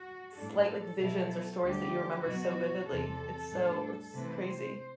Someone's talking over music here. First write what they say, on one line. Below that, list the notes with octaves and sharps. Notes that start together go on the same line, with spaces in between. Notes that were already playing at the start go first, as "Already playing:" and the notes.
slight, like, visions or stories that you remember so vividly. It's so it's crazy.
Already playing: F#4
A2 G3 D4 A4
B2 F#3 B3 E4
D2 D3 G3 G4
B2 F#3 B3 F#4
E2 C3 E3 A4
A2 G3 D4
C3 E3 A3 C4 E4 B4
C5